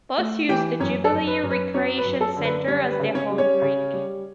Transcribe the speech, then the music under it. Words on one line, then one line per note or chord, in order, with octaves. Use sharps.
Both use the Jubilee Recreation Centre as their home rink.
A3
E3 G4 G5
F#2 C#4 C#5
A4
F#2
B4
F#2
B4
F#3 C#4 C#5
B4
F#2
A4
D3
B4
G3 C#4 C#5
B4
C#3
C#4 C#5
G3
C#4 C#5
C#3
G3